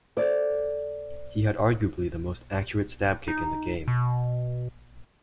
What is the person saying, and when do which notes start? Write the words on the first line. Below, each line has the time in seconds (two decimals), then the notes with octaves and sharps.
He had arguably the most accurate stab kick in the game.
0.17 A4 C5 D5
3.28 D#4
3.88 B2